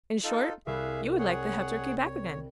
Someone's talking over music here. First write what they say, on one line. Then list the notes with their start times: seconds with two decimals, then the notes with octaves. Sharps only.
'In short, you would like the Heptarchy back again.
0.24 D#4 F4 A4
0.67 C2 G#4 E5 F5 F6 F#6
1.19 G#4 C#5 F#5
2.03 C#5